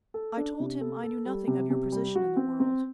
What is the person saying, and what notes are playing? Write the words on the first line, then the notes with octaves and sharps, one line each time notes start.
I told him I knew nothing of your position in the world.
A4
D4
C3
A4
A4
G3
C3
C3
G3
F#4
C4
C4